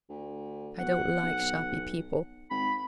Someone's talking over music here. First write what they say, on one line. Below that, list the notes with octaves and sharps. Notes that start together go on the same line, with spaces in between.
I don't like shoppy people.
D2
B2 F#5
B1
G#1 B5